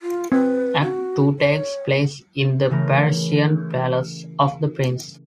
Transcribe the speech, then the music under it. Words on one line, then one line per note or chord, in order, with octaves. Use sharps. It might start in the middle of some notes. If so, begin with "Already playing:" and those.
Act Two takes place in the Parisian palace of the Prince.
F4
C4 B4
F#4
C#5
C#3 E3 A3 A#4